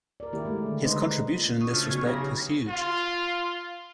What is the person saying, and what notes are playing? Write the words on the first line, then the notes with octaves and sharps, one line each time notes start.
His contribution in this respect was huge.
A#4 D5
D#3 A#3 E4 G4
D#3 G#3 A3
D3
D3 G#3 D#4 B4 C5 D#5
A#2
C#6 D#6
D2 C#3 A3 F4
B1 G#5
C#3 G4 A#5
F4